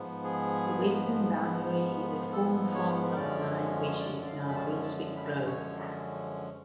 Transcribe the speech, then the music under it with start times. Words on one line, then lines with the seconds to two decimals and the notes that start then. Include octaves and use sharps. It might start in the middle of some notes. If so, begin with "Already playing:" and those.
The western boundary is a former farm-lot line which is now Brunswick Road.
Already playing: G#2 F3 B3
0.24 G#4
2.32 A4
2.75 C#5
3.16 F#2 D3 F3 G#3 C#4 D5
4.00 D5
4.22 D5
4.27 F5
4.49 B5
4.55 A5
4.83 A5
5.16 B5
5.24 A5
5.46 C#5